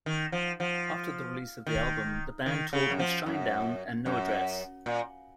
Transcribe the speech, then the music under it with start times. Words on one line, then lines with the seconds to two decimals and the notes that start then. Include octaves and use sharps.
After the release of the album, the band toured with Shinedown and No Address.
0.06 D#3
0.32 F3
0.60 F3
1.66 D#3
2.46 D#3
2.73 C#3
2.90 F#2
2.99 F3
3.26 F#2
4.06 F#2
4.86 A#2